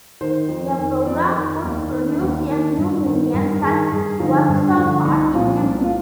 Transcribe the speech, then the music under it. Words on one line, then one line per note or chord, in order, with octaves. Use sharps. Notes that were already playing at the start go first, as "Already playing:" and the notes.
A program could produce a few million such 'works of art' in a minute.
D#3 C5
F2
D#3
F2 D5
D#3
D#2
D#3
D#2
D#3
G2
D#3
G2 A#4
D#3 G#4
G2 G#4
D3 F3 D#4
G2 D4
D3 F3
C2 D#4
A#2 F3 F4
C2
F4